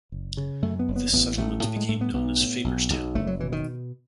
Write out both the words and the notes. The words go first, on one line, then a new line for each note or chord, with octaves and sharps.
This settlement became known as Faberstown.
F#1
C#3
F#2 A3
B3
F#1
B3
A1 B3
A1 A3
A2
G#3
A2 A3
B3
B1 B3
A2
B1
B1
F#1 A3
F#3
B2 E3
D#3